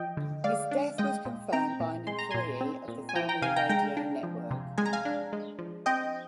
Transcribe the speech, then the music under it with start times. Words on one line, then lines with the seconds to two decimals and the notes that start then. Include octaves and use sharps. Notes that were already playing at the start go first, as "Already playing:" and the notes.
His death was confirmed by an employee of the Family Radio Network.
Already playing: F3 D#5 G5
0.17 D3
0.44 G#3 D5 F5
0.71 D4
0.98 G#3 D#5 G5
1.25 A#2
1.53 C4 G5 A#5
1.80 A#2
2.07 G#3 C6
2.19 A#5
2.31 A#2 G#5 C6
2.61 C4
2.88 A#2
3.09 G#5
3.15 F3 G5 A#5
3.29 G5 A#5
3.42 C3 F5 G#5
3.56 G5 A#5
3.69 G#3 G5 A#5
3.97 D4
4.23 F3
4.51 C3
4.78 G#3 G#5
4.86 A#5
4.93 F5 G#5
5.05 D4
5.33 G#3
5.59 F3
5.86 C4 D#5 G5